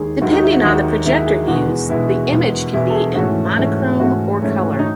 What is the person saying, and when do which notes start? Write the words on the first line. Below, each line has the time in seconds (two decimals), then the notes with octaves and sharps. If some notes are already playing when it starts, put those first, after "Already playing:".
Depending on the projector used, the image can be in monochrome or color.
Already playing: D#2 D#3 G#3 G#4
0.22 D#2 D#3 G#3 F#4
0.32 D#4
0.43 E4
0.53 F#4
0.63 D#2 D#3 G#3 F#4
1.05 D#2 D#3 G#3 E4
1.26 G#4
1.48 E2 B2 G#3 B3 F#4
1.89 E2 B2 G#3 B3 E4
2.32 E2 B2 G#3 B3
2.73 E2 B2 G#3 B3 E4
2.90 A4
2.95 G#4
3.15 G#2 E3 A3 C#4 F#4
3.58 G#2 E3 A3 C#4
3.99 G#2 E3 A3 C#4 F#4
4.42 G#2 E3 A3 C#4
4.79 D#4